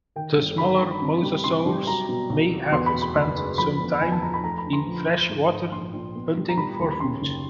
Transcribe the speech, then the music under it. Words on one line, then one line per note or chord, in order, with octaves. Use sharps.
The smaller mosasaurs may have spent some time in fresh water, hunting for food.
D#3 G5
G1
D#3 B5
G2
C3
G3
C3 C6
G3
F#3 A#5
B2
B1
F#3
E2 C6
B5
B2
B5
F#1 C6
G#3
F3 B5
E2
E2 G#5
A5
F3 A#5
B5
A3 A#5
B5
D3
C6
F3
F3
G#2
G#2
A#1 C6
A#1
B3
G3
A#5
G3 B5
D#2
B5
C#3 C6
F#1